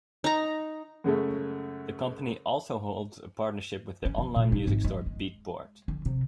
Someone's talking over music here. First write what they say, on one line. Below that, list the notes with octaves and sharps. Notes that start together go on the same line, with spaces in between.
The company also holds a partnership with the online music store Beatport.
D#4 A#5
F#2 C#3 G#3 A3
C#4
E3
A#2
D#4
G#1
G#3
G#3
D3
C3